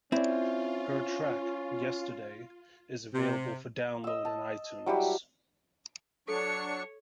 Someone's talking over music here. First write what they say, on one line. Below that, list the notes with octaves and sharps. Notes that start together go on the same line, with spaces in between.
Her track, "Yesterday", is available for download on iTunes.
C4 C#4 E4 F4 D5
C3
D#5 E6
A5
F#3 G3 E4 G4
F#3 D4 A4 C#5 C#6 C#7